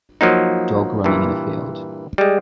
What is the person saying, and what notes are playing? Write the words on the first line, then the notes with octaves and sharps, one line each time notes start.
Dog running in a field.
F3 F#3 A#3 D#4
G2 A#2 E3
G3 G#3